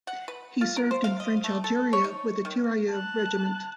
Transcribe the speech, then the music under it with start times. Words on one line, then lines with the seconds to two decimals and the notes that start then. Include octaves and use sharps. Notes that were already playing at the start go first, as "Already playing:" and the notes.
He served in French Algeria with a Tirailleur regiment.
0.07 F#5
0.28 B4
0.61 F4
0.77 A#4
0.91 C5
1.04 F5
1.20 D#5
1.44 A3
1.64 A4
1.93 C#5
2.04 D#4
2.45 D#3
2.89 A5 F#6